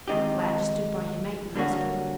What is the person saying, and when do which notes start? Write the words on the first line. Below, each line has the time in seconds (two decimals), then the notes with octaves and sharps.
Glad you stood by your mate in the hospital.
0.08 D#3 G#3 C4 D#4 G4
1.56 D3 G3 A#3 C#4 F#4